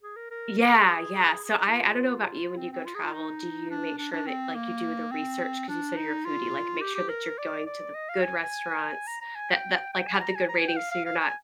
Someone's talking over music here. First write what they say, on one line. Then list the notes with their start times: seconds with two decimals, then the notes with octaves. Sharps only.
Yeah, yeah. So, I I don't know about you, when you go travel, do you make sure that, like, you do the research? 'Cause you say you're a foodie, like, make sure that you're going to the good restaurants that that, like, have the good ratings so you're not
0.02 G#4
0.16 A#4
0.31 A#4
0.59 A#4
0.72 G#4
1.44 G#4
1.67 D#4
1.72 F4
2.57 C4
2.72 C4
2.85 F4
2.95 G#4
3.04 F4
3.13 D#4
3.70 D4
3.98 D4
4.13 D4
4.27 C4
4.55 A#3
5.11 C4
5.69 D4
5.97 D#4
6.25 F4
6.81 G4
6.95 G4
7.09 A#4
7.38 D5
7.66 D5
7.94 D#5
8.09 F5
8.23 G#5
8.37 G#5
9.07 A#5
9.21 A#5
9.35 G#5
9.50 G5
9.93 G5
10.07 G#5
10.21 A#5
10.35 G#5
10.48 A#5
10.58 G#5
10.68 G5
10.77 F5
10.92 F5
11.06 F5
11.20 G#5